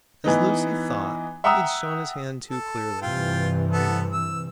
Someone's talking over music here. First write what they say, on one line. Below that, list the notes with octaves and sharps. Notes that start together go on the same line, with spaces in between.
As Lucy thought, he had shown his hand too clearly.
E3 B3 D#4
E5 F#5 G5 A#5 D#6 E6
A4
G2 C3 E3 F4 G5
B3 A4
E6